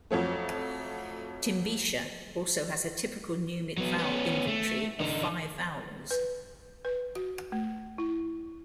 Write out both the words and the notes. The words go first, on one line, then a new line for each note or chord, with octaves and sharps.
Timbisha also has a typical Numic vowel inventory of five vowels.
F2 F3 F#3 A3
F#3 B3
B3 C#4
A3
D3 D#4
B4
B4
F#4
A3
E4